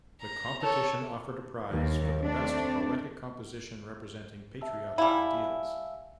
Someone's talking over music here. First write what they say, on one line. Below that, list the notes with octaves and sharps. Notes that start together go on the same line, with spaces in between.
The competition offered a prize for the best poetic composition representing patriotic ideals.
A#5
A4 C#5
D#2
A3 C4 D4
E5 A5 E6
G3 E4 F5 G#5 A5